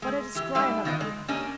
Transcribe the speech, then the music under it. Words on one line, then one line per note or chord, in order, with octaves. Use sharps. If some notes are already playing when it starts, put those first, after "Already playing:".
But I descry another opening.
G#3
E3 G4
G#2 G3 G4 E5
D#3 B3 F4 D5 D#5
G#3
A#3 C#4 D4 G4 D#5 G#5